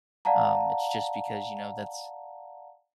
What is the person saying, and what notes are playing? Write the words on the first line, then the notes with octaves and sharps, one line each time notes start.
Um, it's just because, you know, that's
D5 F5 F#5 A5 A#5